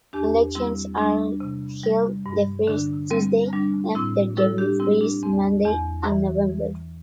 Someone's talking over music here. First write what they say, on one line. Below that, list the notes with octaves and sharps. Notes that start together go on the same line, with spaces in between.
Elections are held the first Tuesday after the first Monday in November.
E2 D4 G4
G3 C4 E4
G3 D4
C3
G3
G2
D3 D4
G3 C4
G3 D4
A2 C4 E4
G3 E4 A4
D4 G4
G3 C4 E4
D4
E2 C4
E2
E3
E3